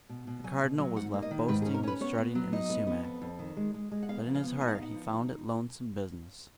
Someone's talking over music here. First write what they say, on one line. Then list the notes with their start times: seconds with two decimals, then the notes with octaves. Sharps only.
The Cardinal was left boasting and strutting in the sumac, but in his heart he found it lonesome business.
0.09 B2
0.27 B2
0.44 F#3 G#5
0.62 B2
0.79 F#3
0.96 G#2 F#5
1.14 A#3
1.22 D#5
1.31 D#3
1.48 G#2 B4
1.62 G#4
1.66 C#4
1.74 A#4
1.83 C#4 B4
2.01 B3 C#5
2.18 B3
2.35 F#3
2.53 D#4 D#5
2.70 B3
2.87 B3
3.04 F2
3.22 F2
3.39 D#3
3.57 G#3
3.74 G#3
3.91 G#3
4.03 F#5
4.09 B3 F5
4.26 F3
4.35 F5
4.43 B3
4.61 D#4 G#5
4.68 F#5
4.75 F5
4.78 B3 F#5
4.96 F3
5.13 D#4